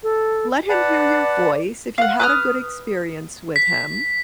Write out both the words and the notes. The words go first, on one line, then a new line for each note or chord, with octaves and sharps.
let him hear your voice, if you had a good experience with him,
A4
B4 D5 F#5 A5
F5 F#5
B4 D#6 F6
B6